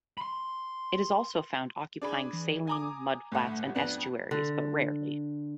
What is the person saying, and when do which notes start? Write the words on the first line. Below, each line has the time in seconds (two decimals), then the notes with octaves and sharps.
It is also found occupying saline mudflats and estuaries, but rarely.
0.18 B5 C6
2.02 D4 G#4 B5 D6
2.33 E3
2.67 G#5 A#5 D6 D#6
3.32 G1 A2 A3 F#5
3.64 G4
3.75 F2 B3 D4 F#6
4.31 D3